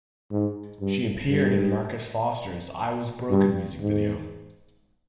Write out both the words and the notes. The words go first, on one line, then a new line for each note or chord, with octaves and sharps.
She appeared in Marcus Foster' I was Broken Music Video.
G#2
G2
G2
G2
G#2